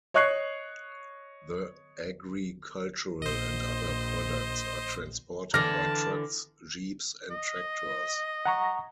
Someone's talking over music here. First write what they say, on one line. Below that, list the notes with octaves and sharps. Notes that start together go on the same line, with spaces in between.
The agricultural and other products are transported by trucks, jeeps and tractors.
C#5 D#5 C#6 F#6 G#6 C7
A#1 C5 D#5
D3 E3 A5 D6 F6 A#6
D#5
F#5 A#5 C#6